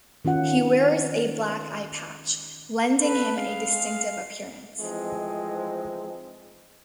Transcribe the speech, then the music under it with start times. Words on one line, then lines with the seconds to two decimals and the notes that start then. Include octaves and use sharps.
He wears a black eyepatch, lending him a distinctive appearance.
0.25 D#3 C#4 F4 F#5
3.01 A4 B4
3.37 G#3 F5
4.80 E3 F3 G#3 A3 C4 D#4